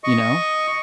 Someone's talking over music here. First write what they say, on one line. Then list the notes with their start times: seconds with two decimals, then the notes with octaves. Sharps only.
you know?
0.04 D#5 C#6